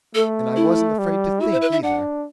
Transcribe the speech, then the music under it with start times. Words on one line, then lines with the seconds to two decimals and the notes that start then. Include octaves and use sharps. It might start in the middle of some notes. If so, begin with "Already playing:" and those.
And I wasn't afraid to think either.
0.15 A3 A4
0.56 E4
0.98 G3
1.41 E4 F#4
1.52 C5
1.61 B4
1.72 E5
1.82 D4 F#5